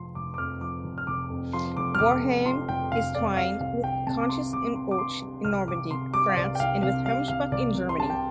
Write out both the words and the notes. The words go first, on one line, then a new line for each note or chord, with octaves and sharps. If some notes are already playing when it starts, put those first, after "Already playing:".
Wareham is twinned with Conches-en-Ouche in Normandy, France and with Hemsbach in Germany.
Already playing: F1 F3 C6
F1 D6
D6
F2 F6
F3 D6
F1
F6
F1 D6
F2
F3 C6
F1 D6
F6
F1 D6
F2
F3 C6
F1 G5
F1 F5
F2 D5
G3 F5
C2 F5
C2 G5
C3 A5
D6
G3 C6
C2 D6
C2 C6
D6
C3 C6
G3
C2 F6
C2 D6
C3 C6
G3 D6
F5
C2 D5
G5
C2 F5
C3 F5
G3 F5
C2 F5
C2 D5
C3
C6
G3 A5
G5